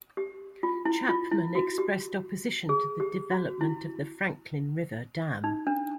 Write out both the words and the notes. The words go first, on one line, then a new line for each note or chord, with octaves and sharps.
Chapman expressed opposition to the development of the Franklin River Dam.
G4
F4
E4
F4
E4
F#4
G4
G#4
G4
F#4
E4
D#4
D4